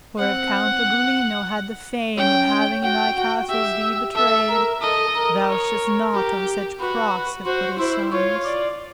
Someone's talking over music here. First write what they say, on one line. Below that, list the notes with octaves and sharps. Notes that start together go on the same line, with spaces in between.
For if Count Ugolino had the fame Of having in thy castles thee betrayed, Thou shouldst not on such cross have put his sons.
C4 F#5
C#4 G5
F#4 G5
F#4
G4 E5
A4 E5
A#4
A4 D#5
A#4
C#5
G4
F#4 B4
F#4 C5
E4 C5
F4 C#5
D5